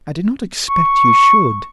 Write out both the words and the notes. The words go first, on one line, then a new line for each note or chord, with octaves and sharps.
"I do not expect you should."
C#6